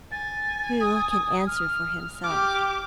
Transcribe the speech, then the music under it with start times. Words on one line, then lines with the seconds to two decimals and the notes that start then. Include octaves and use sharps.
Who can answer for himself?
0.11 G#5 A6
0.81 D#6
1.47 F6
2.23 G4 D6 F6